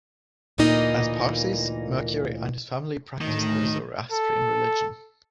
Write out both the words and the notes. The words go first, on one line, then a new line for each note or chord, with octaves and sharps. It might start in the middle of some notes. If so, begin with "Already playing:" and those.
As Parsis, Mercury and his family practised the Zoroastrian religion.
D2 A#2 E3 A#3 D#4 D#5
D2 A2 D#3
A4